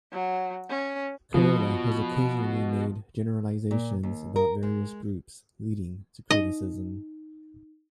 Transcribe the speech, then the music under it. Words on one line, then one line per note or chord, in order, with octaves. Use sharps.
Carolla has occasionally made generalizations about various groups, leading to criticism.
F#3
C#4
B2 F3
A#2
D#2
A#4
G#3
D#4 D#5